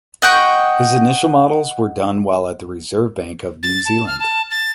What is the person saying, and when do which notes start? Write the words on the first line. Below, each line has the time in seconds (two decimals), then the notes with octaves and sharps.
His initial models were done while at the Reserve Bank of New Zealand.
0.22 D#5 F#5 G5 C#6
3.63 A6
3.86 A5
4.07 F6
4.20 A5
4.51 A6